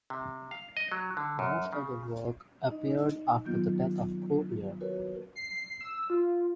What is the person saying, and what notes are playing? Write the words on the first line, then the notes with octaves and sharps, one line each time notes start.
Most of the work appeared after the death of Cuvier.
C3
F5
D#5
F#3
D3
F#2
C#3
D#4 D#5
D#3 F#3 A#3 B3 F4 G6
F#4 A#4 B4 C#5
C7
E6
F4